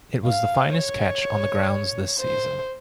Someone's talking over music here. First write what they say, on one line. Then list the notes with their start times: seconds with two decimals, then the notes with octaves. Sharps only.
It was the finest catch on the grounds this season.
0.26 F5
0.74 C#5
2.20 C5